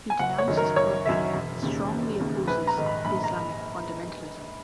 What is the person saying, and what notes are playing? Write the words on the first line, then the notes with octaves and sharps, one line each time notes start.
He denounces corruption and strongly opposes Islamic fundamentalism.
G#5
F#1 F#5
C#5
F#2 D#3
A#4
F#1 C#5
F#2 D#3 E5
E1
D#2 C#3
E1
D#2 C#3
A#1 B4
A#5
G#2 D#3
B5
A#1 B5
A#5